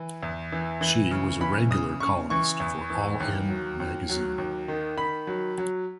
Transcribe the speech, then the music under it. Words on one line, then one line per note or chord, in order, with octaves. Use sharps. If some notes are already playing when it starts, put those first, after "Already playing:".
She was a regular columnist for "All In" magazine.
Already playing: E3
E2
E3
E3
C#3
E3 B5
C#3 D#6
C#3 C#6
E3 C#6
E2
E3
D#2
F#3
D#2
F#3
D#2
D#3
D#3 B5
F#3
F#3